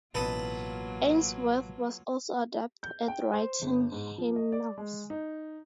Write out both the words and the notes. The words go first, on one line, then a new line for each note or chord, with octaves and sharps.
Ainsworth was also adept at writing hymnals.
A1 B2 F#3 A#3 F4 A4 B4 D#6
G6
G5
C5
G1
G#2
F3
D#5
D5
G#3
D#4